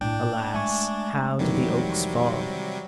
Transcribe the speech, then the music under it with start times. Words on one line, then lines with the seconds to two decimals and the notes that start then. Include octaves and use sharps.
Alas! how do the oaks fall?
0.01 A2 A#3 D4 G5
0.54 G#3 A3 E5 G#5 C#6
1.39 F2 C3 D#3 E3 F#3 G3